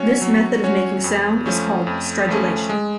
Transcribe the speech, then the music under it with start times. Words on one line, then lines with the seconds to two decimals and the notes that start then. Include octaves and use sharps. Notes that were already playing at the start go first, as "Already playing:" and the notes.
This method of making sound is called stridulation.
Already playing: F#3 C#4 F#4 C#5
0.22 F#3
0.64 C#4 F#4 C#5
1.04 F2
1.46 F3 A3 C#4
1.87 F2
2.29 F3 A3 C#4
2.69 G#3